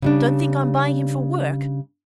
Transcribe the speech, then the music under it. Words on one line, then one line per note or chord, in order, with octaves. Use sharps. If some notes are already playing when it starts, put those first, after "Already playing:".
Don't think I'm buying him for work.
C#3 G3 D4